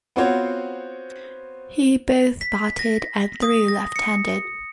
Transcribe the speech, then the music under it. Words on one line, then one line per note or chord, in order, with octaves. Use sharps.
He both batted and threw left-handed.
B3 C4 F4 F#4 C5 C#5
B6
A#6
D#6
A#6
C#7